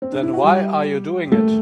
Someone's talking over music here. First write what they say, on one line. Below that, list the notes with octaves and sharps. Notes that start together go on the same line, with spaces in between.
Then why are you doing it?
C4
D4
E4
F#4
G3 G4
A3 A4